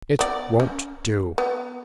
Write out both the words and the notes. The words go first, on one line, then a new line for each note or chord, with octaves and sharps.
It won't do.
B3 D5
C#4
B3